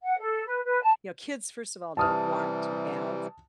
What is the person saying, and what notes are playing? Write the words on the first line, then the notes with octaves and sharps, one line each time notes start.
You know, kids, first of all, don't want to have
F#5
A4
B4
B4
A5
C3 E3 G3 A5 D#6 F6